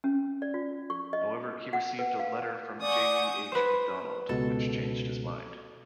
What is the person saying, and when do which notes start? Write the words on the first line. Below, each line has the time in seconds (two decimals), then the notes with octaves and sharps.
However, he received a letter from J. E. H. MacDonald which changed his mind.
0.04 C#4
0.42 D5
0.54 F4
0.90 C#6
1.13 D#5
1.73 F#5
1.99 B4
2.19 F5
2.82 D5 F#5 G#5 C#6 D#6 G6
3.52 B4 C5
4.29 C#2 B2 A4